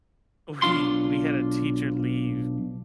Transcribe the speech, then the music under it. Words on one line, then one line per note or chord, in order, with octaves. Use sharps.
We we had a teacher leave,
B1 D4 F4 C6